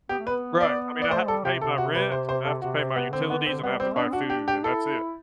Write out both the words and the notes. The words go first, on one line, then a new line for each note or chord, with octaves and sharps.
Right, I mean, I have to pay my rent, I have to pay my utilities, and I have to buy food, and that's it.
B3 G4
A3
B3 B4
D5
D5
A3 C5
G3 A4
C3 G4
C3 A4
F#4
B4
C5
C5
A4
C3 F#4
C4
B3
D3 C4
B3
C4
G3 B3
G3 C4
B3 D4
D4 F#4
G4
G4
E4 A4